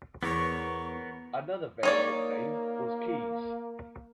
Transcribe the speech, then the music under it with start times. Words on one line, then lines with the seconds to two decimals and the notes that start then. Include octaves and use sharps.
Another variant name was Keyes.
0.23 E2 B3 A#4 C#5 C#6
1.83 A#3 D#4 C#5 D5